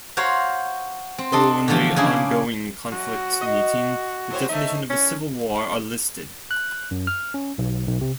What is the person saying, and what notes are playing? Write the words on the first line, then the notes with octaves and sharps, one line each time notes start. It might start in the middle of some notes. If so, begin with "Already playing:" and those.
Only ongoing conflicts meeting the definition of a civil war are listed.
F#4 C5 C#5 F5 A#5
C4
D4 A4 D#5 C6
D3 E3 F3 A3 G4
C#3 A#3 D4 E4 G#4
F#2 F#4
D#5
A2 C5 C#5
A3 A#3 D#4 E5
A2 C#4
F#6
F#2
F6
C#4
B1
B1
C3